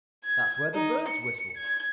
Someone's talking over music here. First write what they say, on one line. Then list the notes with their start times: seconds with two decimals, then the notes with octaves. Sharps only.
That's where birds whistle.
0.24 G#6
0.74 D#4
1.08 C#7
1.57 G#6